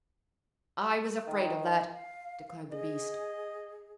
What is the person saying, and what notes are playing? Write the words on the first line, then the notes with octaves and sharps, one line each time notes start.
"I was afraid of that," declared the beast.
D#3
F5
G#4 D#5